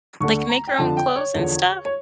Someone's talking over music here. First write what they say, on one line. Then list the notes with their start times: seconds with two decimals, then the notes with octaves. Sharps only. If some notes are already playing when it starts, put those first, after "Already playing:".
like, make our own clothes and stuff.
0.20 D2 D3 A3 C#6
0.49 A#5
0.68 G5
0.78 F2 D3 F3 A5
0.97 G5
1.16 C#5
1.35 E2 D3 F3
1.85 C#5